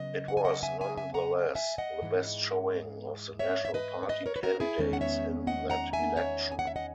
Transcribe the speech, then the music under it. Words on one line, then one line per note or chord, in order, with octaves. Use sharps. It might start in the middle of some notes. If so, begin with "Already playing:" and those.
It was nonetheless the best showing of the National Party candidates in that election.
Already playing: C#3 F#3 B3 D#5
F#5
G#5
D#5 F#5
E5 G#5
E5 G#5
E5 G#5
F#5 A#5
E5 G#5
D#5 F#5
G#2 E3 G#3
C#5 E5
E5
B4 D#5
C#5
B4 D#5
A#4 C#5
B4
F#4 A#4
E4 G#4
E2 D#3 G#3 C#4
F#5
C#5 E5
D#5 F#5
F#5 A#5
E5 G#5
C#5 E5
G#5
F#5
E5
D#5 F#5